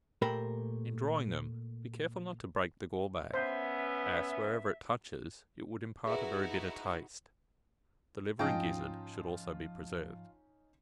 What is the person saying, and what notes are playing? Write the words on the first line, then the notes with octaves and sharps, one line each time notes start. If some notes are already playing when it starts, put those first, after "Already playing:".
In drawing them, be careful not to break the gall-bag, as, wherever it touches, it would impart a very bitter taste; the liver and gizzard should also be preserved.
A#2 A3 G4 A#4 C5 B5
B3 C#4 C5 E5
D#4 E4 F#4 G#4 B4 E5
G#2 F3 C#4 D#4 F4 D#5 G5 A5